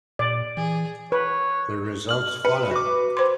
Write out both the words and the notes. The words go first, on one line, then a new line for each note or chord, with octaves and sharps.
The results follow.
A#2 D5
E3 G#4
B4 C#5
F6 F#7
B4 C#7
F#4 D6
C5 C6